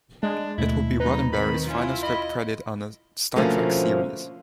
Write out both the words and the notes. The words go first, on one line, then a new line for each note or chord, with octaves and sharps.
It would be Roddenberry's final script credit on a "Star Trek" series.
G#3 D4
D#2 B2 A3 E4
C3 F#3 D#4 B4
D#3 C4 B5
C#4 E4 F4
D#5 B5
B2 D3 F3 A3 A#3 C#4